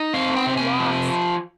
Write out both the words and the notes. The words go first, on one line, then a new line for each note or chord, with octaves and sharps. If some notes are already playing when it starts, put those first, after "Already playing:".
"All lost!"
Already playing: D#4
C4 F5
G5
C3
G#5
F3